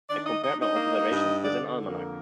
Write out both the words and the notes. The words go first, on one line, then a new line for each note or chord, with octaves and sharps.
I compared my observations with an almanac.
D#3 D4 D5
D#4 D#5
D4 D#4 D#5
D#4 D#5
A#3
G2
D3 D4 D5
F2
A#3 A#4